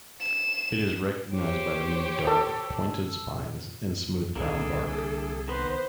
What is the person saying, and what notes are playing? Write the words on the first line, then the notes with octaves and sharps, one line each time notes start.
It is recognized by the many dark, pointed spines and smooth brown bark.
E7
G4 C5 C#5
A4
C2 D3 E3 A#3 G#4 A4
D#3 B3 B4 C5